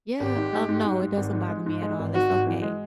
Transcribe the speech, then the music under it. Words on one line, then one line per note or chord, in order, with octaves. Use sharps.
Yeah, um, no, it doesn't bother me at all, it's okay.
G#1 G4
G#2
G#3
G#2
G#2
G#2
G#1
G#2
G#3
G#2
G#3
G#1
G#2 F#4
G#1
E3
G#3